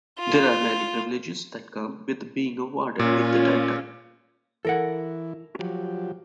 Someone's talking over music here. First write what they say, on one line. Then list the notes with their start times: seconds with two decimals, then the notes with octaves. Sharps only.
There are many privileges that come with being awarded with the title.
0.19 F4
2.99 A#2 C#4 F4
4.65 E3 E4 A4 A#4 F#5
5.59 F3 F#3 G4